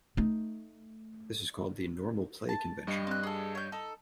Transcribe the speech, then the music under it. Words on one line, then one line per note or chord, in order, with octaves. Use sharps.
This is called the "normal play" convention.
A3 D#4
A5
G2 G3 D#5
C4 F#6
G#4 A4
C#5 G6
D#4 A4